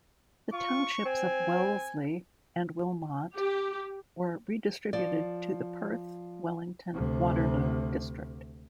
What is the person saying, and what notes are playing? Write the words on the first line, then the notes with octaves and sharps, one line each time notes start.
The Townships of Wellesley and Wilmot were redistributed to the Perth-Wellington-Waterloo district.
F4 C#6
C4 G#5
G4
F3 D5
D2 C3